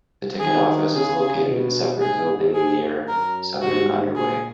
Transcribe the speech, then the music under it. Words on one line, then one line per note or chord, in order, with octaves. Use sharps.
The ticket office is located in separate building near southern underway.
D#3 G#4
C#3 G#4
B2
G#2 G#4
G#4
F#2 A#4
G#2 F#4
A#2 G#4